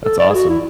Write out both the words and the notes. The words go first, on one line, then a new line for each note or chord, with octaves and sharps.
That's awesome.
A4
D5
G#4
F#4
E4